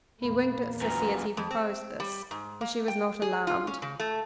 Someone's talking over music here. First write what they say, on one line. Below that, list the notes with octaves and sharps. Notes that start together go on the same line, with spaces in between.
He winked at Sissy as he proposed this, and she was not alarmed.
A#1 E2 A#3 B5
F#2 A#2 B4 A#5
F2
C4
G3
G#2
A#3
G5
G#4
F4
C#4
C#3
A3